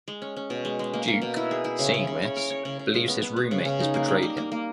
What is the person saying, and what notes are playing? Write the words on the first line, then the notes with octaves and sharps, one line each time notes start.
Duke, seeing this, believes his roommate has betrayed him.
G#3
C#4
C#4
B2
G#3
G#3
A#3
A#3
B2
E4
G#4
E4
C#3
C#3
C#3
C#5
A#4
C#5
C#3
C#3
G#3
B3
B3
B3
C#3
C#3
D#4
A#3
G3
A#3
A#3
A#3